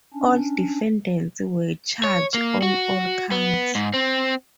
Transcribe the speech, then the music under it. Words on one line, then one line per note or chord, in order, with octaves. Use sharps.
All defendants were charged on all counts.
C#4 D4
C#5
A#3
F#4
B3
G#2
C4